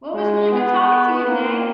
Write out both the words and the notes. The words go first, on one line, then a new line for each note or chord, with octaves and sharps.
Well, it was really good talking to you today.
G#3
B3
A#3